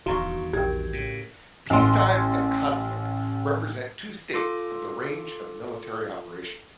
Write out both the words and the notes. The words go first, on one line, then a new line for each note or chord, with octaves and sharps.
Peacetime and conflict represent two states of the range of military operations.
D1 E2 G2 D#3 F#4 F5 A#5 C#6
A#1 G4 A#4 G5 G#6
A2 C#3
A1 C6
F4 A4 D6